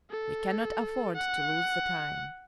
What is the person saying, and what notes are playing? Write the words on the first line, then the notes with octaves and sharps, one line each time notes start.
"We cannot afford to lose the time."
A4
F#5